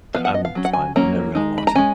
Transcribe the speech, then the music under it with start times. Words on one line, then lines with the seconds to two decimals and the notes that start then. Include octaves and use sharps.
D I'm fine, I'm never gonna watch it.
0.14 F3 B3 D#4 F5
0.25 F#5
0.34 D#5
0.45 F5
0.55 F#3 C#4
0.65 F#5
0.73 G#5
0.96 F#3 A#3 C#4 A#5
1.35 G#3 D#4
1.58 B5
1.67 A#5
1.75 G#3 C#4 G#5